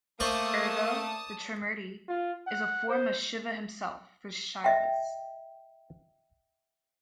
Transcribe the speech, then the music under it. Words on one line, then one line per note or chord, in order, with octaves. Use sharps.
Ergo, the Trimurti is a form of Shiva Himself for Shaivas.
A3 A#3 C5 D5 A5 C#6 D#6
F4
F#5
C5
D#5 E5 G5